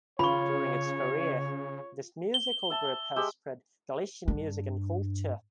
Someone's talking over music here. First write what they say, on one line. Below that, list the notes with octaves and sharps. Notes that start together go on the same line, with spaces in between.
During its career, this musical group has spread Galician music and culture.
C#3 F4 C#5 B5 C#6
G7
E5 A5
G#3 G4 E6
G2 D4